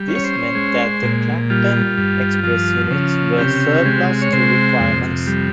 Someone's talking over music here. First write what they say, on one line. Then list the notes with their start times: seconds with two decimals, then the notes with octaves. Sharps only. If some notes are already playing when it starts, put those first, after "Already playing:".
This meant that the "Clacton Express" units were surplus to requirements.
Already playing: G3
0.08 C#4
0.15 C#5
0.24 C5
0.55 G#3
1.03 A#2
1.50 G3 F4
1.98 G2
2.44 F3
2.91 C#3
3.38 C3 G4
3.85 G#3
4.22 C#5
4.33 C3 C5
4.80 F2
5.27 G3